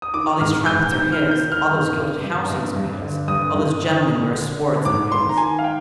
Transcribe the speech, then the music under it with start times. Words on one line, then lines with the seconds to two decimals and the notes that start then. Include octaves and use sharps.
All these trumpets are his, all those gilded housings are his, all those gentlemen wear swords that are his.
0.02 D#6
0.14 D#3 D6
0.40 G#2 F6
0.66 G#2 G6
0.92 D#3 G6
1.12 F6
1.19 D#3
1.31 G6
1.45 D#3
1.52 F6
1.71 G2
1.97 G2
2.24 G2
2.50 G2
2.76 G2
3.02 D3
3.28 G2 D#6
3.54 G2
3.80 D3
4.07 D3
4.33 D3
4.59 D3
4.85 G#2 D6
5.12 D#3 C6
5.29 A#5
5.38 D#3 G#5
5.59 F5
5.64 G5